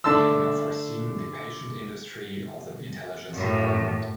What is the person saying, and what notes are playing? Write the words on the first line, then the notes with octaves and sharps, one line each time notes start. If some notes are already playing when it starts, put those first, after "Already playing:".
He had not foreseen the patient industry of the Intelligence Department.
D3 A3 A5 C6 E6
F#2 A2